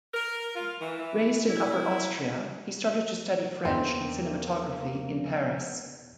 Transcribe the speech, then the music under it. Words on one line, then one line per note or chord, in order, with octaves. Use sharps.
Raised in Upper Austria he started to study French and cinematography in Paris.
A#4
F4
E3
E4
E2 A#3 C4